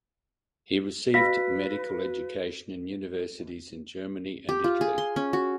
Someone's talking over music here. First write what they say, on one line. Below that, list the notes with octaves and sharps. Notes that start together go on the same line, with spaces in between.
He received medical education in universities in Germany and Italy.
F#4 B4 F5 B5 A#6 B6
G4
F4
G#4
C6
C#4
F#4